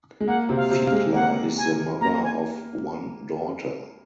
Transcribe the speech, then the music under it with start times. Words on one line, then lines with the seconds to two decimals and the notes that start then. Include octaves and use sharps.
Fiedler is the mother of one daughter.
0.20 G#3
0.27 A#3 F#5
0.49 C3 C4
0.56 F5
0.70 C3 C4
0.85 F5
0.92 G#3
1.14 A#3 F#5
1.58 G#5
2.01 A#3 A#5
2.23 G#5